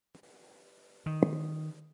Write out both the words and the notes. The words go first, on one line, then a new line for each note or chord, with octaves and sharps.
The "Edmonton Journal" noted Porritt had represented the Mackenzie District in the legislature.
D#3